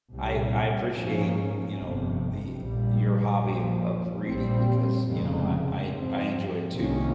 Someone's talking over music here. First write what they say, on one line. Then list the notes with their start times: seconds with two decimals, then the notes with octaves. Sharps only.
I I appreciate, you know, the your hobby of of reading because, you know, I I I enjoy it, too.
0.12 C2 A#2 G3
0.94 G#2 F3 A#3 C#4
1.77 G1 F2 C3
2.59 A#1 A#2 G3
3.42 A#1 A#2 F3
4.25 A#1 A#2 G3 C4
5.06 F1 F2 C#3 G#3
5.89 G#2 F3 C4
6.71 C2 C3 D#3 A#3 C#4